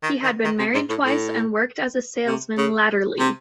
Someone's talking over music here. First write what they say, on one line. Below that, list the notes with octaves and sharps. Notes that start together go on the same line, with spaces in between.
He had been married twice and worked as a salesman latterly.
D#3
D#3
D#3
C3
G#2
A2
A2
C3
C#3
C3